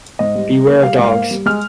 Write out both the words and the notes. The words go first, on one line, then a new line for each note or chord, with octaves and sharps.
Beware of dogs.
G#2 D#5
G3
G3
A#3
G3 F5
G#2
F5
A#3
G3
G#3 F6